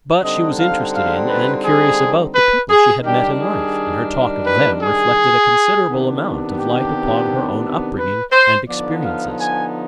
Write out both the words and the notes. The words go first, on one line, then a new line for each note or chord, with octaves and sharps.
But she was interested in and curious about the people she had met in life, and her talk of them reflected a considerable amount of light upon her own upbringing and experiences.
D3 G3 C4 D#4 D#5
F5
F5
B4
G#4
B4
G#4
D#3 G3 D4 G4
G#4
B4
G#4
C3 D#3 B3 D4
G4
B4
C5
D3 F3 B3 D#4 D5
F5
G#5